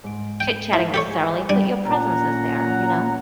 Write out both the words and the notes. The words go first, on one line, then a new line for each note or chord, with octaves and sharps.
chitchatting necessarily, but your presence is there, you know?
G#2 D7
G5
E4
G4 A4 C#5
G#4
G3 D4 G#5
A#2 C#4 F#5 A#5